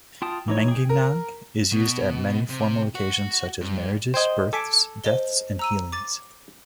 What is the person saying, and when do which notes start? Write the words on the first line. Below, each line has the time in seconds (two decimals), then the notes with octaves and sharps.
Menginang is used at many formal occasions such as marriages, births, deaths, and healings.
0.22 F4 G5 A5 D#6
0.48 E3 D#4 C#5
0.68 G#4 G5
0.89 A#4
1.73 B2
2.50 C3
2.95 F#4
3.61 G2
4.14 C5 D#5 G5 G#6
4.53 A4 G#5 D6 B6 D7
5.04 C5 D#5 G7
5.59 A#5 E6 D#7
5.92 D6 A6